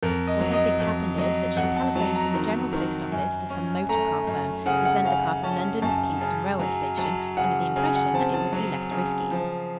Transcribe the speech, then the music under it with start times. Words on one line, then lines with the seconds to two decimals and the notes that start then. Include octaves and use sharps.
What I think happened is, that she telephoned from the General Post Office to some motor-car firm to send a car from London to Kingston railway station, under the impression that it would be less risky.
0.03 F2 A#4
0.27 D#5
0.40 F#3
0.53 D#5
0.80 F2
1.18 F#3 D#5
1.56 F2 F#5
1.76 A5
1.95 F#3 A5
2.15 A#5
2.34 D#3
2.73 D#3
3.12 F#2
3.50 C#4
3.89 A3 A#5
4.27 F#2
4.66 C#3 F#5
4.85 F#5
5.05 C#3 F5
5.44 C#4 A5
5.82 F#2 A5
6.21 C#3 A5
6.59 F#3
6.98 F#3 A5
7.37 C#3 F#5
7.76 C#3
7.95 F#5
8.14 C4 A5
8.34 A5
8.53 F#3
8.91 C#3
9.31 F3